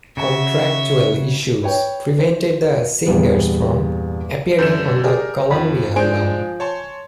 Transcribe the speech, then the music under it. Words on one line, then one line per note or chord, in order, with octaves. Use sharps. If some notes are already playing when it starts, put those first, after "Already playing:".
Contractual issues prevented the singers from appearing on the Columbia album.
C#3 F#4 E5
B4 C#5 G5
C5
E2 G2 A#2 G3 B3
F#2 D3 G6 E7
G4 G#4 A#4 D5
F2 F3 B5
G#3 D4 C5 G#5 G6 D7
C#5 A5 C6